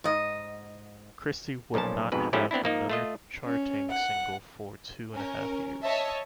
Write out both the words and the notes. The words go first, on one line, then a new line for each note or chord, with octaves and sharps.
Christie would not have another charting single for two and a half years.
G#2 D#5
B1 A#2 F3 C#4 A5
F2 G#2 B2 B4
G#2 F3 A3 C#4 E4 G4
B3 C4 D4 E4
F3 A#3 D#4
A3 F4 D#5
C#4
F#5
C#4 A#4
C#5 D#5 E5 A5